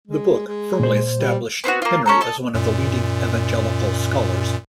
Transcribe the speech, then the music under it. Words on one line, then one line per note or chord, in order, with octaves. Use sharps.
The book firmly established Henry as one of the leading Evangelical scholars.
G#3
G#3
A#2 C5
G3
B3 C4 F4 F#4
A#3 F4
C#4 A4 A#5
A4 D#5 A5
F#2 A#2